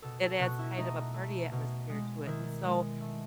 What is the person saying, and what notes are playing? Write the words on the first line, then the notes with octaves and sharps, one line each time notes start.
it adds kind of a party atmosphere to it, and so,
B2 A4
A4
B2 F#4
E4
A3 D#4
A3
B2
G#3
D#3 E4
G#3
A3